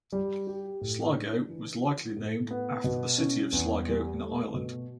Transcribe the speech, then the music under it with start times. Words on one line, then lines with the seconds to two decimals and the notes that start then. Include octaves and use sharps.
Sligo was likely named after the city of Sligo in Ireland.
0.12 G3
0.47 G4
0.81 A2
1.16 D4
1.49 E3
1.82 F#4
2.17 A2
2.51 B3
2.84 B2
3.18 C#4
3.52 E2
3.87 G3
4.21 A3
4.54 B2